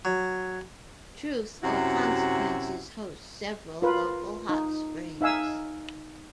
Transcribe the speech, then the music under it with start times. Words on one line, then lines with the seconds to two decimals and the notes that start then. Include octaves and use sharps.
Truth or Consequences hosts several local hot springs.
0.05 F#3
1.63 F#2 C3 E4 F#4
3.82 F4 A#4 B4
4.49 D#4
5.21 D#4 E5 F5 G#5 E6